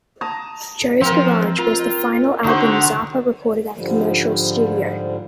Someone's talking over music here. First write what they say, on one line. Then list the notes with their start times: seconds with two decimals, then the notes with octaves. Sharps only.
"Joe's Garage" was the final album Zappa recorded at a commercial studio.
0.21 A5 A#5 D#6
1.01 F3 C4 A#4 C6
1.58 F4 A#4
2.44 D3 D#4 F#4 C5
3.74 G#2 D3 F3 G3